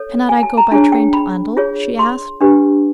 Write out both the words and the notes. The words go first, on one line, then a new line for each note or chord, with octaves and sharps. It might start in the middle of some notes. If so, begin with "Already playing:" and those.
"Cannot I go by train to Oundle?" she asked.
Already playing: A4 C#5
G#5
A5
A#5
D4 F4 G#4 C#5 A5
G5
B5
F4 G#4 C#5
C6
D4 G4 B4